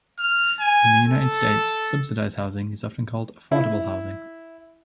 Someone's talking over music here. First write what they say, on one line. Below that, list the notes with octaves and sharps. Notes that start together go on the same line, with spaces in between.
In the United States, subsidized housing is often called affordable housing.
F6
G#5
A4
E4